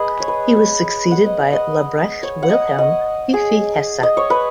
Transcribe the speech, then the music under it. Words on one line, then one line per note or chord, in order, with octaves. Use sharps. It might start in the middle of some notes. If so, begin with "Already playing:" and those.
He was succeeded by Lebrecht Wilhem Fifi Hesse.
Already playing: G#4 B4 D#5
C#5
B4
C#5
F#5
D#5
F#5
D#5
C#5
F#5
D#5
D#5
G#4
D#5
C#5
B4